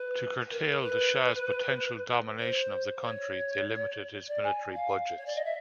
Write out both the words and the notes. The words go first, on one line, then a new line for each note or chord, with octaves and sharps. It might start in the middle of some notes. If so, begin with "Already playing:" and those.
To curtail the shah's potential domination of the country, they limited his military budgets.
Already playing: B4
A#4
A#4
B4
C5
C#5
D5
G#5
F5
C#5
D5
D#5
E5